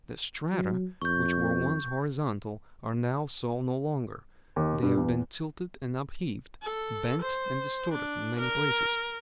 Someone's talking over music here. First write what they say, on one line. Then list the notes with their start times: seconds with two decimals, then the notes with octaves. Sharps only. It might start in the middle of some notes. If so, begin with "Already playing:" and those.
The strata which were once horizontal are now so no longer--they have been tilted and upheaved, bent and distorted, in many places.
0.53 F#3
1.02 F2 C#6 G6
4.56 D#2
4.83 G2
4.97 E2
6.62 A4
7.22 C5
7.93 D4
8.40 A#4